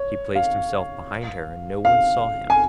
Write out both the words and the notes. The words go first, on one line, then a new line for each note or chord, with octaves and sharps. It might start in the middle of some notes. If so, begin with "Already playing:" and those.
He placed himself behind her, and no one saw him.
Already playing: C#5
F5
F5
G#5